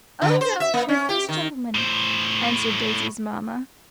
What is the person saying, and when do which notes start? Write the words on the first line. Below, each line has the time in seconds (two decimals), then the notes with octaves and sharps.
"Oh, no; with this gentleman!" answered Daisy's mamma.
0.22 D3
0.41 C5
0.60 E5
0.74 A#3
0.88 C#4
1.09 G4
1.29 D#3
1.75 A2 C5